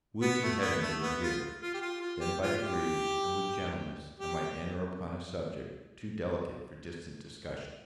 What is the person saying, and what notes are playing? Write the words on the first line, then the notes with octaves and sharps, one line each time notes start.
Would to Heaven you were here!-then, by degrees, and with gentleness, I might enter upon a subject too delicate for distant discussion.
B3
A3
B3
A3
B3
F4
F4
G4
F4
F4
G4
F4
G4
G4